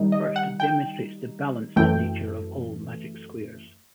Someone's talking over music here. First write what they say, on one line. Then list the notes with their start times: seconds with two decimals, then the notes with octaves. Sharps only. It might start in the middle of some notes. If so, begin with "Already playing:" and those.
First it demonstrates the balanced nature of all magic squares.
Already playing: D#3 G3 D#4
0.12 D#5
0.36 F#5
0.60 G5
1.76 F#2 E3 A3 G5